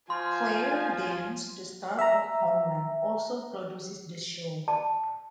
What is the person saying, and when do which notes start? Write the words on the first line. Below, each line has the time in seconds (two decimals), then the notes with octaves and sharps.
Claire Danes, the star of "Homeland", also produces the show.
0.10 F3 F4 G#5 C6
1.99 E5 A#5
4.68 A5